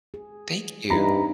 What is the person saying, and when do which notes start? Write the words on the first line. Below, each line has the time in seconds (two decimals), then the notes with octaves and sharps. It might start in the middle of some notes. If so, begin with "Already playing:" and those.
Thank you.
0.14 G#4
0.90 G2 C4 D#4 E4 A#5 B5